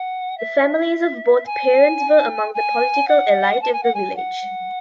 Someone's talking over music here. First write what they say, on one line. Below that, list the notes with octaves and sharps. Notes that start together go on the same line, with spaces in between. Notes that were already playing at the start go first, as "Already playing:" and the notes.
The families of both parents were among the political elite of the village.
Already playing: F#5
E5
G#5
G#5
F#5
A5
G#5
F#5
G#5
F#5